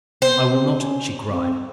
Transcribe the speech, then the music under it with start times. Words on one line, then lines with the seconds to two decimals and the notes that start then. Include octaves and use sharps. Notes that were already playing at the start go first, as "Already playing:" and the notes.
"I will not!" she cried.
0.22 B3 C5
0.49 C4
0.77 C#4
1.31 C4